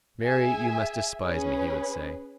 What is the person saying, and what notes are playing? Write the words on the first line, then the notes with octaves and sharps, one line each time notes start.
"Mary, you must despise me!" he would say.
G#4 E5 G#5
C#4 G#4 B4